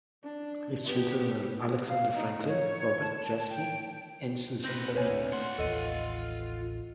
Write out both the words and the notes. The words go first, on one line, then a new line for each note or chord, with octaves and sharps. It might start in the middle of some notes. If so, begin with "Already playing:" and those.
His children were Alexander Franklin, Robert, Jesse and Susan Lavenia.
D4
B3 G4
F5
D#4
C#5
A5
G5
C4 B4 G6 A#6
D2 C4 B4 C#5 G#5
F4 F#5 C6
A1 D#2 A4 D#5 D#7